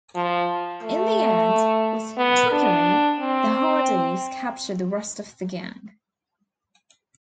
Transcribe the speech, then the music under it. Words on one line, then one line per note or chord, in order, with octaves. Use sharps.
In the end, with trickery the Hardys capture the rest of the gang.
F3
A3
B3
D4
C4